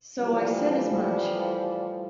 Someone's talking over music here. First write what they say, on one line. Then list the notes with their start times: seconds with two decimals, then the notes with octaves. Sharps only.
So I said as much.
0.20 A2 E3 F3 G3